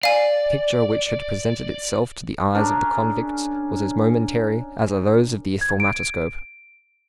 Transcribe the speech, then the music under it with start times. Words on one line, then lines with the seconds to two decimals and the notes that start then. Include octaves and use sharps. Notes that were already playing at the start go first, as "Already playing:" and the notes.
The picture which had presented itself to the eyes of the convicts was as momentary as are those of the thaumatoscope.
0.03 D5 F5 G#5
2.55 C#4 D4 G#4 A#4
5.61 G#6
5.80 D7